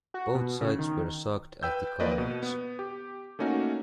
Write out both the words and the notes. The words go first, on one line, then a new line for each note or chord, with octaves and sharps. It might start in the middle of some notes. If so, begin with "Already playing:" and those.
Both sides were shocked at the carnage.
F#4
B2
C#3
D#3
B4 G5 E6 G6
F3 A#3 B4 D5 D#5
B2
B3
G4
A3 A#3 C#4 D#4 F#4